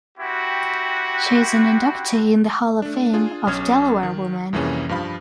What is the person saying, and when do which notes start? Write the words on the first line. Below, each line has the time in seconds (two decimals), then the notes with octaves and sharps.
She is an inductee in the Hall of Fame of Delaware Women.
0.18 C4 E4 F#4 G4
2.82 A3 D4
3.13 D4 F4 G#4
3.47 B1 C#4 D#6 F6 G#6
4.03 D#3
4.53 C2 F2 E3 A#3 C#4 G#4
4.89 G2 F3 F5 B5